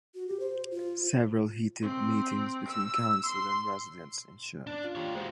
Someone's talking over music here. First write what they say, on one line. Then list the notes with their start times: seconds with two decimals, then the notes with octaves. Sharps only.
Several heated meetings between Council and residents ensured.
0.15 F#4
0.28 G4
0.40 C5
0.71 F4
1.82 C4
2.68 E6
3.26 C6
4.67 D4
4.84 F4
4.95 G4 C#5
5.15 G#3 F#4 C5